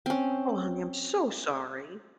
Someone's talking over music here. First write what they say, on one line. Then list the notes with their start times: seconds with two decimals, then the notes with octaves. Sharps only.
Oh, honey, I'm so sorry.
0.06 C4 C#4